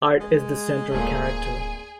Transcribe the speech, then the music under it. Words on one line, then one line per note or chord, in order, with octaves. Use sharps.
Art is the central character.
G#3
D1 A#2 A3 G#4 G#5